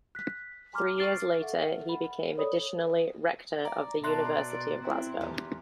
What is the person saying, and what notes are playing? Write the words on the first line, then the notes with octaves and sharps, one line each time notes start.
Three years later, he became additionally Rector of the University of Glasgow.
F#6 B6
G#5 A#5 C6 D6 F6
C#6 F6 A6 C7 D7
A4 E5 F#5
F#5 B5
A4 A#4 C#5 D5 B5 D#6
D5 A#5
B2 A4 C#5 D5 E5 A#5 C6 F#6
C4 E4
E2 D#3 F3 G4